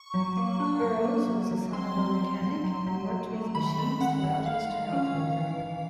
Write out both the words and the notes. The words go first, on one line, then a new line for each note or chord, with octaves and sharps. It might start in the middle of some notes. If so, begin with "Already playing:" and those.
Burroughs was the son of a mechanic and worked with machines throughout his childhood.
Already playing: C#6
F#3
A#3
D4
F#3
A#3
F#3
F#3
C4 C6
F#3
F#3
F#3
F#3
F#3
F#3
A3
D#3 B5
G#3
D#3 F#5
D#3
D#3 F5
G#3
C#4
D#3
E3
E3